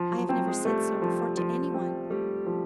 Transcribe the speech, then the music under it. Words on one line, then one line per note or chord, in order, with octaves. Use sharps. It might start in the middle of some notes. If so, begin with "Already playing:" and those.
I have never said so before to any one.
Already playing: F3
F#3
F#3 C4
G#3
G3 A3
F3
F3
C4
G3 A3
F3